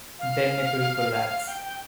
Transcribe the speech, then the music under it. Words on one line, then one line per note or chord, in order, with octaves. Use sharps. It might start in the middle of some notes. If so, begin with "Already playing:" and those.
Then it will collapse.
F5
G5
G5